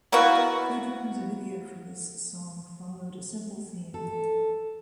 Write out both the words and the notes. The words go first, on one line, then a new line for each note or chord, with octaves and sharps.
Goodrem's video for this song followed a simple theme.
A#3 B3 E4 F#4
A4